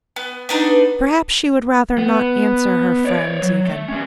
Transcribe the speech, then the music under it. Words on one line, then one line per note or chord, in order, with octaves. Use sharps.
Perhaps she would rather not answer her friends, even.
B3
B3 D4 D#4 B4
B3
C#5 D5
F#3
A3
G3 C#4